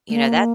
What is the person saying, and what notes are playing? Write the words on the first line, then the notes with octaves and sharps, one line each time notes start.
You know, that
A3
A#3